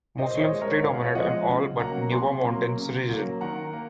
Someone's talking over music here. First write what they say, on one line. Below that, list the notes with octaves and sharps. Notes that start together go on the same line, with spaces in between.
Muslims predominate in all but Nuba Mountains region.
A#2 C5 D#5
C#5
C5 D#5
G#3
A#4 C#5
A#2 F5
F#5
C#5 F5
F3 G#3 D#5 F#5
C#3
F#3 A#3 F#5 A#5
C3 G#5 C6
F#3 A#3
C#3
F#3 A#3
D#3 F#5 A#5
A#3